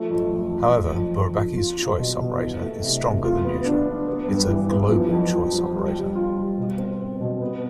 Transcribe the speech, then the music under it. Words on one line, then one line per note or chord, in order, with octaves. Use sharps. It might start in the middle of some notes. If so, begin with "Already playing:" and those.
However, Bourbaki's choice operator is stronger than usual: it's a "global" choice operator.
Already playing: F3 A3
F2
F2
F2
F2
F2
F2
F2
F4
F4
B2
B2
E3
A3
C3
A3
F4
B3
D4
D4
B3
G2
E3
B3
F3
F2
F3
F3
G3
G3
F4
G3
B2
C4
C4
B2
B3